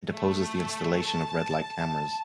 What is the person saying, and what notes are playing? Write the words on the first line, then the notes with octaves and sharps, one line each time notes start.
It opposes the installation of red light cameras.
A3
A5